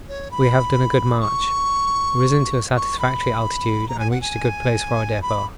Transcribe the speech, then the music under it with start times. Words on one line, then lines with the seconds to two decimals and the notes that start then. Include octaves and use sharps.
We have done a good march, risen to a satisfactory altitude, and reached a good place for our depot.
0.09 C#5
0.31 B5
1.21 C#6
2.76 C#6
2.99 B5
3.88 A#5
3.99 G#5
4.11 F#5
4.21 G#5
5.22 B5